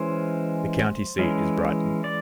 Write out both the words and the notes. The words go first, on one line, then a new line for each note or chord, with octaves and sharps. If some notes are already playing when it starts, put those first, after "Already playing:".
The county seat is Brighton.
Already playing: E3 G#3 C#4 C5
E3 G#3 C#4
D5